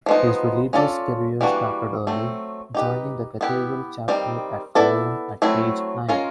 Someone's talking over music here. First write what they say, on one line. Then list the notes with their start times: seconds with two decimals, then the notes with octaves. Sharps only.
His religious career started early, joining the cathedral chapter at Cologne at age nine.
0.06 F3 G#3 B3 D#4
0.73 C#4 F4 A4 D5
1.41 E3 G3 A#3 D4 F#4
2.07 F#3 A3 C4
2.74 D#4 G4 B4
3.41 B3 E4 G4 B4
4.08 D#3 G3 C4
4.75 B3 E4 A4 D5
5.42 F#3 A3 C4 E4
6.08 G#3 C#4 F4 A#4